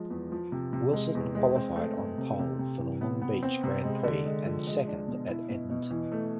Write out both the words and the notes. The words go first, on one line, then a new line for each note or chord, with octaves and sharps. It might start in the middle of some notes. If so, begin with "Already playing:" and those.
Wilson qualified on pole for the Long Beach Grand Prix and second at Edmonton.
Already playing: F3 G#3
E2
F3
C3
C3
G#3
E2
G#3
C4
A3
C4
C3
C3
C3
E3
B3
B3
C4
C3
G#3
D3
G#3
F3
G#3
D4
B2
E4
B2
B2
E3
A3